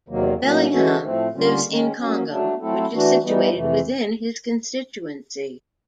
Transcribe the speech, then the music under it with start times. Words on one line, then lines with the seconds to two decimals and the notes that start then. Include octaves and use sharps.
Bellingham lives in Congham, which is situated within his constituency.
0.09 E2 C3 D#3 F#3 A#3
0.40 A2 F#3 A#3 C#4
0.71 E3 G#3 C#4 F#4 A4
1.03 A2 F3 A3 C4
1.35 D3 G3 A#3 C#4 F4
1.66 D#3 G#3 C#4
1.98 F#3 A#3 C#4
2.30 F#3 A3 D4
2.61 F#3 A3 C4 E4 A4
2.92 E3 A3 D4 F#4
3.23 G2 E3 G3 B3 D#4
3.55 F2 C3 E3 A3